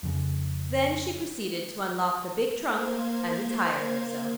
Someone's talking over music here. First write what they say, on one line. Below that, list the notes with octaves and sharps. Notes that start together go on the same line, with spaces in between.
Then she proceeded to unlock the big trunk, and attire herself.
F2 C#3
A#3 C5 F5 G#6